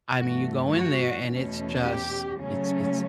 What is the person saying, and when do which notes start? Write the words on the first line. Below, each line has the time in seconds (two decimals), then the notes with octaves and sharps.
I mean, you go in there and it's just it's it's,
0.16 G2 E3 A3 F#4
0.71 F#4
1.26 E2 B2 A3 C#4
1.82 G4
2.37 C#3 F#3 A3 C#4